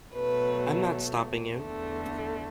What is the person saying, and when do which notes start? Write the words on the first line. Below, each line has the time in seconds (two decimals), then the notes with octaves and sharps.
I'm not stopping you!
0.14 B2 F#3 A3 B4
1.55 E2 D3 A3